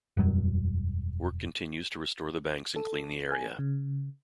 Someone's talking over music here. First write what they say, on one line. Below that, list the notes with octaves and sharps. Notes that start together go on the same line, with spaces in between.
Work continues to restore the banks and clean the area.
E1 F#2 F#3 G3
A4
G#5
C#3